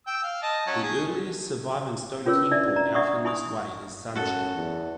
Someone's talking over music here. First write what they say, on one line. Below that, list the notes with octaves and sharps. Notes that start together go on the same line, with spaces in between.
The earliest surviving stone temple set out in this way is Sanchi.
G5 E6
F5
D#5 A5
F#3 C#4
G#4
C#4 F4 G#4 B4 C#5 E6
D4 E4 D5 E5
D5 A#5
D4 D5 E5 F#5 C#6 D#6
E4 G#5 B5 C#6 D#6
F#2 F#4 A4
E2